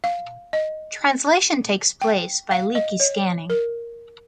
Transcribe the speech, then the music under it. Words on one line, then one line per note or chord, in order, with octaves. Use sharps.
Translation takes place by leaky scanning.
F5
D#5
G5
F5
D#5
C#5
A#4